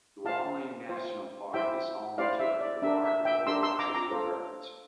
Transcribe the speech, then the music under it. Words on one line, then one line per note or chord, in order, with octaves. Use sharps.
Diawling National Park is home to a remarkable variety of birds.
F4 C5 F5 A5
F4 C5
E4 G4 C5 E5 G5
E4 G4 C5 D5 F5
E5
D5
D4 G4 A#4 E5
E5
E5 G5
D4 G4 A#4 C6 E6
C6 E6
A#5 D6
A#5 D6
F4 A4 C5